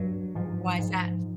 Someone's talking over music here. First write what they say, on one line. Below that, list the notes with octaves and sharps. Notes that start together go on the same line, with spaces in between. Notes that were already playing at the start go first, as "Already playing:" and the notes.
Why's that?
Already playing: G2 F#3
G#2 F3
G#2